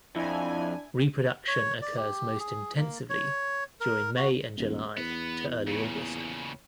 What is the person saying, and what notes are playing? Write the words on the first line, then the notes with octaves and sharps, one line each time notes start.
Reproduction occurs most intensively during May and July to early August.
F2 D4 E4 G#5
C#5
D5
G4
G#4
A#3
C#5
A#4
F#4
D#1
E2 B3
A#2 C#3